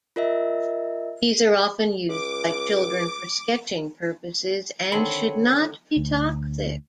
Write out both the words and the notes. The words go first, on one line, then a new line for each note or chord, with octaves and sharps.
These are often used by children for sketching purposes, and should not be toxic.
F4 A#4 D#5 E5
C#2 D6
D3 D#3 C4 C#5 B5
D2